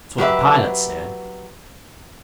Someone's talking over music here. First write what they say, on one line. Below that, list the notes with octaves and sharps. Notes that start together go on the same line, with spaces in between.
That's what the pilot said.
F#3 G4 B4 E5